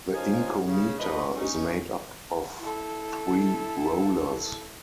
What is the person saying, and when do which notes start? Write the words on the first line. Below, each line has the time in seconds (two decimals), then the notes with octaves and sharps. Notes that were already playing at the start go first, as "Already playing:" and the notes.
The inkometer is made up of three rollers.
0.14 F3 C#4 D#4 C5 F5 G#5
0.66 C#3
0.99 A#2 A3 B4 C5 D#5
1.34 C#4 D#4
2.59 E4 A4